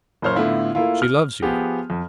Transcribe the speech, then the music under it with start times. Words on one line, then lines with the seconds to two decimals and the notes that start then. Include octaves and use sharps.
She loves you.
0.22 F#1 A#2 C5 C#5 F6
0.35 A2 D3 B3 E4 F4
0.75 A3 A#3 E4 F4
1.02 F6
1.42 F3 B3 G4 G#4
1.90 F2